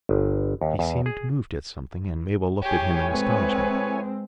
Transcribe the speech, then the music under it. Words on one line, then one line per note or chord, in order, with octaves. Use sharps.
He seemed moved at something, and Mabel looked at him in astonishment.
G1
D#2
E2
G#4
A2 G4 G#4 C#5 G#5
G#3 C4 B4